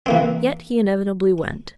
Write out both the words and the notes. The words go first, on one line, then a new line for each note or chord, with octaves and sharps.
Yet he inevitably went.
E3 A#3 C4